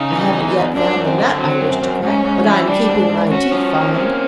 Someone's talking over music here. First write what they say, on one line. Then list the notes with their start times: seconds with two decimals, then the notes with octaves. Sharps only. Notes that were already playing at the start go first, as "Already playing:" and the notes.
I haven't yet found the nut I wish to crack, but I'm keeping my teeth filed.
Already playing: C#3 D#4
0.11 E3
0.33 E2
0.54 E2
0.74 F#2 D4
0.97 F#2
1.07 C4
1.18 D3
1.38 F#3 C4
1.61 F#2
1.82 F#2
2.03 G#2 C#4
2.24 G#2
2.45 E3
2.67 G3 D4
2.89 G#2
3.09 G#2
3.31 C#4 F#4
3.52 F3
3.74 A#3
3.95 C4 C#4